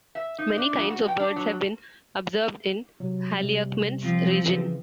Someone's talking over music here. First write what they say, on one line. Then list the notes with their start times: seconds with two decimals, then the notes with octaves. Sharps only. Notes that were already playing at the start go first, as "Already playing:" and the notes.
Many kinds of birds have been observed in Haliakmon's region.
0.15 E5
0.38 D#4
0.58 D4
0.77 F2
0.90 F#4
1.08 G5
1.20 D4
1.36 F#3
3.00 C3 F#3
3.37 C3 G3
4.02 F3 C4
4.46 C#3 E3